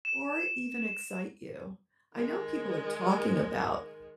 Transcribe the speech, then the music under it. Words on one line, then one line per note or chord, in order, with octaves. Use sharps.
or even excite you? I know people are talking about
E7
D#3 G#3